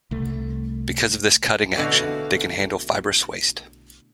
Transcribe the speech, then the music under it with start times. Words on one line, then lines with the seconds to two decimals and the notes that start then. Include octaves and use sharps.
Because of this cutting action, they can handle fibrous waste.
0.11 C2 A3
1.76 B2 D3 A3 E4 F#4 F5